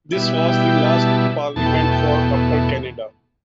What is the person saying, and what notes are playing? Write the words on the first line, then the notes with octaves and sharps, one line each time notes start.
This was the last parliament for Upper Canada.
B2 G3 E4
G5
A5
E2 B2 A3 A5
G5
A5
G5